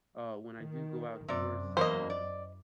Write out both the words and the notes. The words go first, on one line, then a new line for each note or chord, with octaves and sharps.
uh, when I do go outdoors, um,
D#3
F#2 C3 D5
E2 E3 A#3 C5 D#5
D5